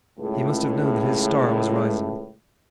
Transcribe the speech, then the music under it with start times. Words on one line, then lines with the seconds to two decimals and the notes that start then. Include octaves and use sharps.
He must have known that his star was rising.
0.19 C#2 A2